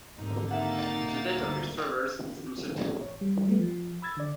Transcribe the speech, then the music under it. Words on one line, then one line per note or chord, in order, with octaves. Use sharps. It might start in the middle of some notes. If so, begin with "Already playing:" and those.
The date of his travels is uncertain.
D#2 G#2 D3 C4 D#4
A#3 D#4 B4 E5 F#5 A6
A#2
G1 D2
A1 C#5
G3
G3 A3 B3
F3
B5 E6 G#6 A6
D3 D5